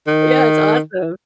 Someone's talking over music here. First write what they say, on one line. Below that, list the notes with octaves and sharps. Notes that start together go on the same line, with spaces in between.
Yeah, it's awesome.
D#3